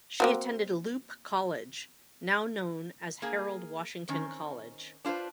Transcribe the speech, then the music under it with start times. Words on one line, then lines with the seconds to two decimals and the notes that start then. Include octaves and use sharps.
She attended Loop College, now known as Harold Washington College.
0.20 A#3 C4 F#4
3.22 A#3 G#4
4.09 D#3 C4 C#4
5.05 D4 F4 G4 B4 C5